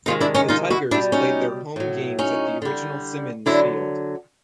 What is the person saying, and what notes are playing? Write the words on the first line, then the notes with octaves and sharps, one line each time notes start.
The Tigers played their home games at the original Simmons Field.
C3 D#3 G#3 D#4 F4
D4 E4
C#4 D#4
D#4 F4
E4 F#4
B2 G3 D4 E4
C#4 D#4
A2 F#3
C#4 D#4
D3 G3
D3 F#3 D4 E4